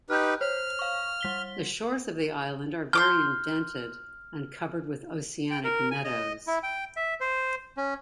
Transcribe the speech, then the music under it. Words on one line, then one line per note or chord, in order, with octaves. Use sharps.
The shores of the island are very indented and covered with oceanic meadows.
D#4 G4 B4 F6 G6
C5 C#5 F6
F5 C#6
G3 B6 G7
C6 D6 F6 G6
G5
A#4
G#5
D#5
E4
G5
E5
C5
C#4